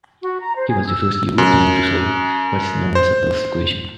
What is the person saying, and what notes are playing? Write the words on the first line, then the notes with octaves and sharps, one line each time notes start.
He was the first European to solve what is now known as Pell's equation.
F#4
A#5
C5
G#4
E6
F#2
C5